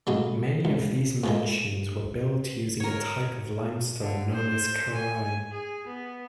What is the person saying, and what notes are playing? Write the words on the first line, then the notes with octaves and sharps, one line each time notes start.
Many of these mansions were built using a type of limestone known as karai.
A2 C#3 F#3 G#3
C#2
A2 E3 G#3
A#4 C#5
D3
C5
G#5
G#4
B3